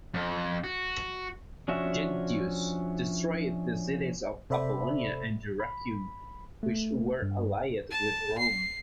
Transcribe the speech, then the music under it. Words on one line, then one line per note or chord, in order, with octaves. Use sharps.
Gentius destroyed the cities of Apollonia and Dyrrhachium, which were allied with Rome.
F2
F#4
F3 C#4 D4 F#4 E5
C3 A4 C5 D5 E5 B5
B5
A3
G2
A5
C7